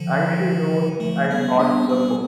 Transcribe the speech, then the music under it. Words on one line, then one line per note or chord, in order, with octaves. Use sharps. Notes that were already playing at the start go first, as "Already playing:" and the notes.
And she rose and got the books.
Already playing: D3 F3
F3 A3
G3 B3
B3 D4
C4
G3 B3